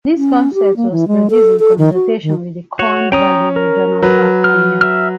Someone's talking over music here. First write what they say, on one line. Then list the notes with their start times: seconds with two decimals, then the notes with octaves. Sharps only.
This concept was produced in consultation with the Colne Valley Regional Park Panel.
0.17 C#4
0.54 G4
0.76 A#3
0.91 E3
1.08 G#3
1.30 A4
1.59 A4
1.78 D#3
1.93 F#4
2.23 D#3
2.79 F#4 C#5
3.12 C#4 G5 A#5 D#6
3.56 A#4
4.02 F#3 B4
4.44 F6
4.81 E5 E6 F6